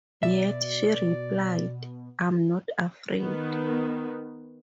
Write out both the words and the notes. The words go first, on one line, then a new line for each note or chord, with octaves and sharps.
Yet, she replied 'I'm not afraid.
B2 D5 E5
D#3 B3